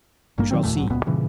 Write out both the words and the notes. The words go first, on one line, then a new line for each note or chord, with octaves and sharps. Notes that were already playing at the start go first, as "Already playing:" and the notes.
We shall see.
G#1 G2 A#3
D#3 F#3 C4
F#1 E2 A#2 A3
C2 G#2 F#3
E1 C#2 A#2 B3
G2 A#2 C#3 E3